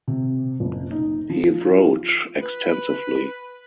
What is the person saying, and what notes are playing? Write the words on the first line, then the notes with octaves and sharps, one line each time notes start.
He wrote extensively.
C3
F#1
D#4
F3
F4
B4